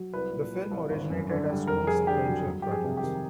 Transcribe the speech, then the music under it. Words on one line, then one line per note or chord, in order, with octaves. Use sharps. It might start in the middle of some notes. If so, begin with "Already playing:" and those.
The film originated as two sequential projects.
Already playing: F#3
C2 B4
A#2
G3
C2
G#1
F#2
D3
G3
F1 A#4
F2 G#4
D3 G4
F#3
G1
F2 G4
G#4
C3
G4
D#3